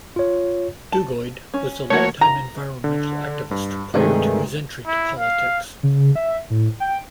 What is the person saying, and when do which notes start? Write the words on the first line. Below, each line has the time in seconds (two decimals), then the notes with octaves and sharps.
Duguid was a long-time environmental activist prior to his entry to politics.
0.16 F4 C#5
0.92 A5
1.54 C#4
1.90 A3 A#3 F#4 C#5
2.21 A#5
2.84 D3
3.51 G2
3.94 G2 C3 D#3 G#3 A3 G#4
4.86 E4
5.19 F5
5.83 C#3
6.16 E5
6.50 A2
6.80 G5